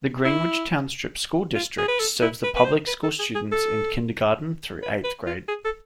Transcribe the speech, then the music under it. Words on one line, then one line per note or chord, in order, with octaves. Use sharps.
The Greenwich Township School District serves public school students in kindergarten through eighth grade.
E4
F4
G#4
B4
A4
E4
B4
B4
C5
B4
A4
G#4
G#4
A4
B4
B4
F4
G#4
A4